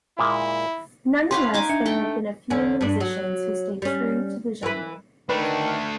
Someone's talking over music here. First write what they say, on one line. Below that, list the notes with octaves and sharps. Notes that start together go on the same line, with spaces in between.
Nonetheless, there have been a few musicians who stay true to the genre.
A#2 G#3 A#3 E4
C#4 B4 F5 G5 C6
D#4 G#5 D6
D4 E5 C#7
A3 G5
E2 D3 C#4
G2 D4
F#3
G3 C#4
E3 B4
D#3 A3 D4 B4